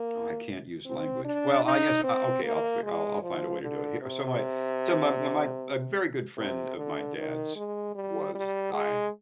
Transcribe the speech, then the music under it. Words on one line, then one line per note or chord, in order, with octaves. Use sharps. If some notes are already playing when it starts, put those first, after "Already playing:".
oh, I can't use language. Well, I guess, uh, okay. I'll f I'll find a way to do it here. So my so my my a very good friend of my dad's was dying.
Already playing: A#3
C4
D4
D#4
C4
A#3
G#3
F3
D3
C3
C3
D3
D#3
G#3
G3
G3
G#3